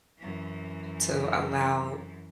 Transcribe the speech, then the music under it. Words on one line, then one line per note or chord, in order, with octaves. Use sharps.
to allow,
F#2 E3